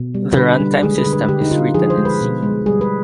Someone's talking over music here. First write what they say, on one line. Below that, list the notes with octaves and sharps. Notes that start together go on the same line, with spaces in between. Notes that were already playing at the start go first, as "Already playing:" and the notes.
The run-time system is written in C.
Already playing: B2
G3
D3 B4
G3
G#3 G#4
B4
D3
B4
D3 G4
D#4
D3 F4
F3 G#4
C5
G#3
B4
B2
G#3
G3 G#4
B4